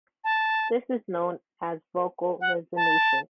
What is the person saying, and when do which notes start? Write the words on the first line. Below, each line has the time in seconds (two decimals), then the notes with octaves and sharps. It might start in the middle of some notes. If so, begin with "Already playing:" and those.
This is known as vocal resonation.
0.24 A5
2.41 F#5
2.76 A5